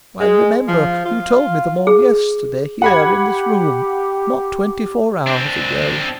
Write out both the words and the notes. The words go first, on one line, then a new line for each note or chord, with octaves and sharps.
I remember you told me them all yesterday, here in this room--not twenty-four hours ago.
G#3
F3
F4
G#4
G4 F#5 B5 G#6
C4 D4